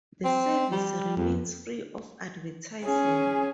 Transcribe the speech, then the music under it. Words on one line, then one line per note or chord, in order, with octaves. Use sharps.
The service remains free of advertising.
C4
G3
F2
C#4 G#4